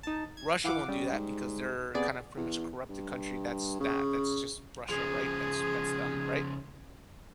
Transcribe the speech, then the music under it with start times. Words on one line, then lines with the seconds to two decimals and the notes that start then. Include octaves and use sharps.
Russia won't do that because they're kind of pretty much a corrupted country, that's that that's just Russia, right? That's that's them, right?
0.03 D#4 A5
0.37 G#6
0.64 E3 F5 F#5 D6
0.88 C#3 G3
1.12 G#2
1.95 C3 B3 G#4 D5
2.37 E2
2.89 G2
3.80 C#3
4.89 C#3 F3 G#4